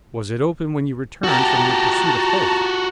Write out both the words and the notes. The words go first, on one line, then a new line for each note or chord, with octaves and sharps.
'Was it open when you returned from your pursuit of Holt?'
F#4 G4 A5 A#5